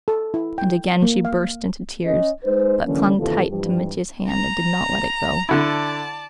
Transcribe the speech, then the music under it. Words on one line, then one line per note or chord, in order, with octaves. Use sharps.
And again she burst into tears, but clung tight to Mitya's hand and did not let it go.
A4
E4
G5
A#3
F5
C#4 D#5
G#3 D#4 B4 C5
D3 E3 F#3 A#3 C#4
D#2 C3 E3 F4 A4
G2 E3 F3 G3
A#5
D3 E4 D5 A5